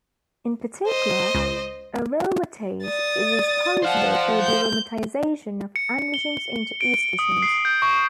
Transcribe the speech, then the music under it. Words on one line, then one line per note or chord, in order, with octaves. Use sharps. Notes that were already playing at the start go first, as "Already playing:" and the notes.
In particular, aromatase is responsible for the aromatization of androgens into estrogens.
C5 D#5
C#2
D5 D#6 A6
C5 F5 F#5 A5
G6
C#7
G7
D7
D#6
C7
G6
C#6